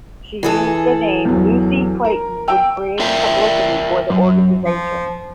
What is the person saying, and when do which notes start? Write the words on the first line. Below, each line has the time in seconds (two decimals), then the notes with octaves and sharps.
She used the name "Lucie Clayton" when creating publicity for the organisation.
0.43 E3 G#4 A4
1.25 E2 F#3
2.05 A#4
2.48 G5 E6
3.00 F4 A#4 D5 E5 G5
4.10 F#2
4.64 F3